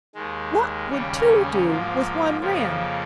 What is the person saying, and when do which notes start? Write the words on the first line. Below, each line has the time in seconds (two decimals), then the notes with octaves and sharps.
What would two do with one ram?
0.15 D#2 D#3 G#3
0.89 D#2 C#3 G3 C#4
1.64 G#2 F3 A#3
2.39 F2 C#3 F3 A#3